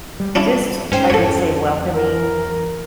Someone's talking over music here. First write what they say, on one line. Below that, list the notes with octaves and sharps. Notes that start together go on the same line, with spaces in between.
just, I would say, welcoming,
G3
C#4 D4 E4
G#2 C#4 C5 G5
F2 A4 C#5
A#4